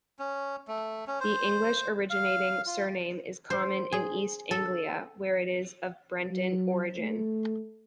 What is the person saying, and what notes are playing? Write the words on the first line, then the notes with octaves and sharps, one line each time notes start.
The English-originating surname is common in East Anglia, where it is of Breton origin.
C#4
A3
C#4
C5
F5
F4
C5
G#4
A4
F#3
A3